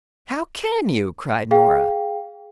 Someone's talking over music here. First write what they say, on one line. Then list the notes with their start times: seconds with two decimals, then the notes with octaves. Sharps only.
"How can you?" cried Nora.
1.51 G#4 F5 G5